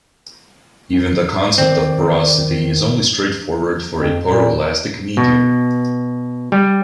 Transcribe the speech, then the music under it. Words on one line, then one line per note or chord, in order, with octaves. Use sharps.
Even the concept of porosity is only straightforward for a poroelastic medium.
D#3 C4 D5
F2
A#2
B2
G3